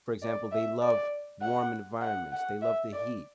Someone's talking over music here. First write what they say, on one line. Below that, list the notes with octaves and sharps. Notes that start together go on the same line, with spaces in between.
for example, they love warm environments, they love the heat,
D5
E5
D5
F#5
F#5
F#5
E5
D5